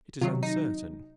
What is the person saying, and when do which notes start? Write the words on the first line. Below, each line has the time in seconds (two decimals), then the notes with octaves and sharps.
It is uncertain.
0.21 C3 D#3 F#3 F4
0.43 D#4